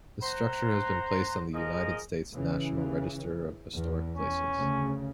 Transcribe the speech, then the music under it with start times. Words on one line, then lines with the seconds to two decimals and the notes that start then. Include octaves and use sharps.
This structure has been placed on the United States National Register of Historic Places.
0.23 C5 F#5 A#5
1.54 F3 G#4 A#4 D#5
2.33 C#3 E3
3.74 E2
4.17 C#4
4.54 D2 C#3